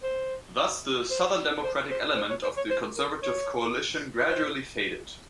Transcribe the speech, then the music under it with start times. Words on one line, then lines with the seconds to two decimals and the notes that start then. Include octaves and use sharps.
Thus the Southern Democratic element of the conservative coalition gradually faded.
0.03 C5
1.11 C5
1.64 C5
1.90 C5
2.17 C5
2.30 C#5
2.43 C5
2.57 C#5
2.70 C5
2.97 A#4
3.23 C#5
4.30 C5